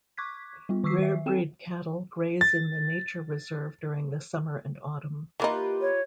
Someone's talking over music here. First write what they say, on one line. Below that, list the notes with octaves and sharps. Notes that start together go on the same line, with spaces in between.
Rare breed cattle graze in the nature reserve during the summer and autumn.
C#6 D6 F#6 G#6 B6
G3 B3 F4
D#3 C#6 D6 E6 B6 C7
D#3 E5
C4 A4 G5 E7
A6
E3 A#3 D#4 F4 G4 B4
C#5